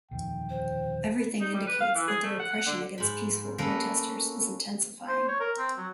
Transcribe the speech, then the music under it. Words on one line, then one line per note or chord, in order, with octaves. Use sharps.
Everything indicates that the repression against peaceful protesters is intensifying.
D#1 F2 D#3 G5
C5
D#4
G3
B4
F5
E3
G#4
A3
F#5
F#5
D3
G#2 B5
A3 A#3 C#4 A4 B4
C5
C#5
A#4
C4
F#3